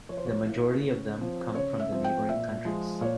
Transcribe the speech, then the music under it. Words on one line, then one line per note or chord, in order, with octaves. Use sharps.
The majority of them come from the neighbouring countries.
F3 C#5
C5
C#5
A#3 E4
C#3
F3 C4
C#3 C#5
E5
F3 C4
G5
A#2 E5
F3 G#3
A#2 C#5